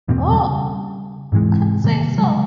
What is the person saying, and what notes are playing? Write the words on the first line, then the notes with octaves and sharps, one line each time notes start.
Whoa. I'd say so.
E2 B2 A#3 C4
C#3 G3
G#2 C3 E3 G#3
C3 D#3 G3 A#3
C#3 F#3 G#3